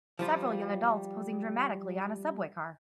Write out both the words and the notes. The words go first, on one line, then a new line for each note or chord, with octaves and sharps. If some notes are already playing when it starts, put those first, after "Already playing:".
Several young adults posing dramatically on a subway car.
F3 G3 F4